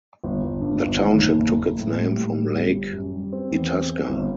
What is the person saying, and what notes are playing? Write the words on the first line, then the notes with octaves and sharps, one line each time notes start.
The township took its name from Lake Itasca.
G1
G1
G2
G1
D#3
F#1
F#1
F#1
A2
G3
A2
G3
G1
G3
F#2
G3
C4
E2
C4
C4
G1